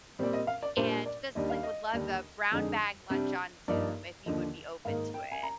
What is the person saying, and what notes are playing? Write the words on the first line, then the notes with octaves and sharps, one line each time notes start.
and just, like, would love the brown bag lunch on Zoom if you would be open to it."
A#2 G3 C4 D5
D#5
F5
D5
A#2 G3 D4 C5
D5
D#2 D#3 G3 D4 D#5
F5
D#5
D#2 D3 G3 D4
F2 D3 G#3 D#4
C3 G3 D4
G2 F3 A#3 D#4 D5
D#2 D3 F3 D#5
G#2 D#3 A#3 D#4 F5
G5
G#5
A#5